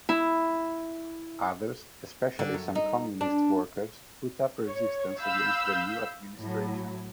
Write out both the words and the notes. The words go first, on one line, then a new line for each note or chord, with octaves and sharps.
Others, especially some communist workers, put up resistance against the new administration.
E4
D3
F#2
D#4
D4
C#5
F5 B5 E6 G6
A2 F#3